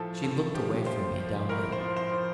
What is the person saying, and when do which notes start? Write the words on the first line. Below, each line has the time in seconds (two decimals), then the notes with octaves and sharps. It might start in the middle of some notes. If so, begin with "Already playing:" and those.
She looked away from me downhill.
Already playing: A2 F3 A4
0.23 F3 A4
0.55 F3 G4
0.86 F3 C5
1.18 F3
1.49 A2 A#4
1.72 C5
1.80 F3
1.96 C5
2.12 F3